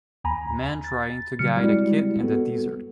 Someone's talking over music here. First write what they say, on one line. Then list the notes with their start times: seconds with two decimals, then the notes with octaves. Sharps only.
Man trying to guide a kit in the desert.
0.24 D#2 G#5 A#5 B5
0.84 A6
1.39 C#3 F#3 G3 F6 C#7
1.57 G3 G#3 C4 E4 F#4 G4
2.20 B3 F#4 A4